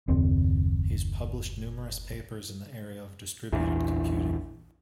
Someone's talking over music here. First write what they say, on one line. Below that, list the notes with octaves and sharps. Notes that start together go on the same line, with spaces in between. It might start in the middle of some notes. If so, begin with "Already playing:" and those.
He has published numerous papers in the area of distributed computing.
F#1 D#2 C4
A#1 E2 E3